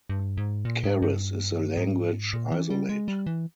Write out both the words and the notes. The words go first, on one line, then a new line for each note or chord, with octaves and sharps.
Keres is a language isolate.
G2
G#2
A#2
G#2
G2
G#2
A#2
E3
G3
G#3
G3
E3